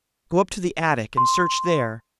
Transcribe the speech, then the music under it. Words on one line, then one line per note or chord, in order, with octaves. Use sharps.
Go up to the attic and search there.
C6